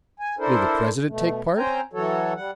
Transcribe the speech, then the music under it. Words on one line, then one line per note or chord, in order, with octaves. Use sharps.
Will the President take part?
G#5
D4 E4 A4 A#4 C5
B2 A3
C4 C#4 C5 G5 G#5 A#5
E3 F#3 F#4 A4 C#5
G3 F#5